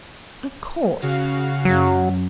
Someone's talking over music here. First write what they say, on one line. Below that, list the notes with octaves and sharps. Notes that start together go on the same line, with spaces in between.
"Of course."
C#3 F#4 F5
F#2 F#3